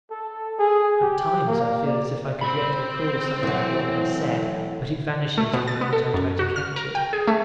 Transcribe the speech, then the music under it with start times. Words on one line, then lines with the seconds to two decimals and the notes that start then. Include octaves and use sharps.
At times I feel as if I could yet recall something of what they said, but it vanishes the moment I try to catch it.
0.10 A4
0.59 G#4
1.02 G4
1.47 A#3
1.87 D5
2.41 C4 B5
3.43 A2 E3 F#3
5.38 A3
5.54 B2
5.68 A6
5.81 B3
5.93 A4
6.14 F#2
6.39 F#4
6.56 F6
6.76 A#4
6.95 G5
7.13 G#4
7.27 A3